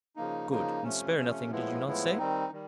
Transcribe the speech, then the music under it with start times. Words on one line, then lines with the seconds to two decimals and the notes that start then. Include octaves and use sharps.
"Good! and spare nothing, did you not say?"
0.16 C#3 F3 A#3 D#4
0.50 C#3 F3 A#3 D#4
0.83 C3 F3 A3 C#4
1.18 C3 F3 A3 C#4
1.51 A2 F3 G#3 B3 E4
1.84 A2 F3 G#3 B3 E4
2.17 D#3 G3 C4 D#4
2.52 D#3 G3